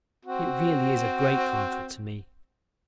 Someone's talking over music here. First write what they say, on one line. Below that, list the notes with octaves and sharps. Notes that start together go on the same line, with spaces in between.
It really is a great comfort to me.
C4 F#4